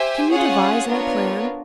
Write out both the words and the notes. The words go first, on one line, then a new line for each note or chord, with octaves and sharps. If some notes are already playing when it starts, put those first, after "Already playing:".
Can you devise any plan?
Already playing: G4 C5 E5 G#5
C#4 F4 G#4 C#5 F#5
B3 D4 F4 A#4 C#5